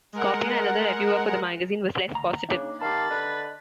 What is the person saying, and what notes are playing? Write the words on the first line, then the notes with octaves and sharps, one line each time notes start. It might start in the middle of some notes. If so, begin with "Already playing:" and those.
Scorpia, another reviewer for the magazine, was less positive.
G#3 A#4 F#5
D2 A#5
C#3 A#3 D4 D#4
D#3 G4 F5 A5 B5 A6
D3 B4 D#5